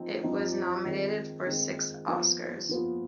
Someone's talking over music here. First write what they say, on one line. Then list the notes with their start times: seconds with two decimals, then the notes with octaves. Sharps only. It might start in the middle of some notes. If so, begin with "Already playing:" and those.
It was nominated for six Oscars.
Already playing: F3 C4 D#4
0.23 F3 C4 D#4
0.84 D#3 G#3 C4
1.46 D#3 G#3 C4
2.08 F3 B3 F4
2.69 F3 B3 F4